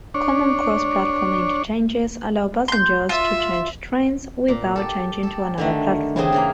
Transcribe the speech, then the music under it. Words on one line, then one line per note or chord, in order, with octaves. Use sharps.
Common cross-platform interchanges allow passengers to change trains without changing to another platform.
D4 C#5
C6 G6
F4 E5
A#2
G4 A4
G4 A4
D3 D#3 A3
E2 C#3 G3 C4 G#4
C#3 E3 A#3